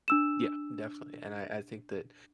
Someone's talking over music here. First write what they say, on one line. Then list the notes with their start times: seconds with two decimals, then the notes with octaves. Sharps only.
Yeah. Definitely, and I I think that
0.08 D4 E6 E7